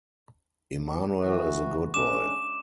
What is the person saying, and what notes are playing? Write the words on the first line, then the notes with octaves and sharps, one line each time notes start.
Immanuel is a good boy.
E3 F#4
G#3 C#4 D4 D6 E7